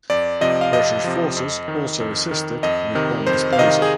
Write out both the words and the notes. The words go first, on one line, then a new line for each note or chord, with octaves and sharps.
British forces also assisted with bomb disposal.
F2 D5
C3 F3 D#5
F5
F2 D#5
C3 F3
F2
D#3
F2
D#3
F2 D#5
C3 D#3
F2 C5
F5
C3 D#3 D#5
G#4